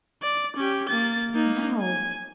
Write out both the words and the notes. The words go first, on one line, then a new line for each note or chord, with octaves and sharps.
But now!
D5
C#4 G4
A#3 A6
A#3 D#4
G#5